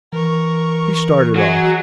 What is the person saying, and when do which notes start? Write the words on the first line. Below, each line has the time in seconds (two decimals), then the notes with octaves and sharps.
He started off.
0.13 E3 A#4 C#6
1.35 F#3 G#4 D#5